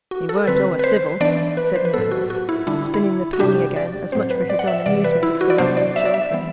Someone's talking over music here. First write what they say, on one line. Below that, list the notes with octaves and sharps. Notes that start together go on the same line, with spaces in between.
'He weren't o'er-civil!' said Nicholas, spinning the penny again, as much for his own amusement as for that of the children.
F#4
A4
D3 G3 C4 B4
B4
C5
E3 B3 D4 D5
B4
C5
B4
A2 F#3 B3 A4
F#4
F#4
E4
D3 G3 D4 E4
E4
F#4
C3 G3 D4 G4
D5
A2 F#3 C4 C5
B4
D5
F#5
E5
C3 E3 G3 D5
B4
E4
F#4
D5
C3 F#3 B3 D4 C5
D5
E5
D5
E5
E3 G3 B3